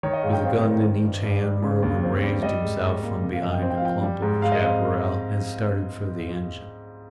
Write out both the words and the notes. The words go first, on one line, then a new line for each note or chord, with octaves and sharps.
With a gun in each hand Merwin raised himself from behind a clump of chaparral and started for the engine.
D#3 C#5
D#5
G#2 F5
G5
C4 F5
G5
G3 A#4
A#4
D#3 C5
G2
G2
G3
C#3
D#2
C4
G3
G3 D#5
G#2
G#2
A#3
C3
F5
F2 D#5
G5
C4
G5
F5
F3 G5
G3
G#2
G#2 F5
D#5
C4 F5